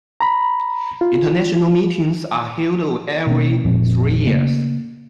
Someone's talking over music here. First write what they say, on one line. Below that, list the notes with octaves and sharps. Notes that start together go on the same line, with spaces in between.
International meetings are held every three years.
A#5 B5
F4
B2 A#3 C#4
F1 A#2 F3 C4
C#3 A3 A#3